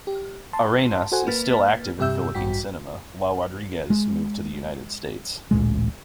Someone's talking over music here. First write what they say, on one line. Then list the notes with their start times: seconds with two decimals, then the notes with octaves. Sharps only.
Arenas is still active in Philippine cinema while Rodriguez moved to the United States.
0.07 G4
0.53 A5 C6
1.12 F#4 A4 C5 F#5 G#5
1.26 A#3 B4 F6 A6 B6
1.99 G2 C3 G4 E5 E6 G6
2.35 A1 G2 F#4 G5 B6
3.90 G#3
5.51 A1 D2 A#2 G#3